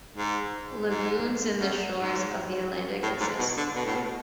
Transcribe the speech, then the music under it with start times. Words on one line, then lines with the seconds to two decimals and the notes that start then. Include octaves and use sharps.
Lagoons in the shores of the Atlantic exist.
0.16 G#2
0.88 G#2
1.60 F#2
1.95 G#2
3.03 A2
3.21 G#2
3.39 B2
3.57 D3
3.74 B2
3.85 A2
3.95 B2